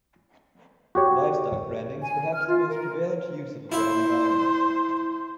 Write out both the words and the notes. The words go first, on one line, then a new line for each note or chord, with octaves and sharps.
Livestock branding is perhaps the most prevalent use of a branding iron.
F#4 G4 C#5
G#5
F6
F4
A#4
E4 C5 E5